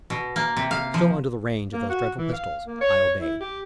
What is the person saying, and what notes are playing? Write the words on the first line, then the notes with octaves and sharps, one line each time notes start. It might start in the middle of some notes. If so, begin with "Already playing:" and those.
Still under the range of those dreadful pistols, I obeyed.
B2
A#3
C3
F5
F3
A#3
F#4
E3
F5
A#3
C#5
E4
G4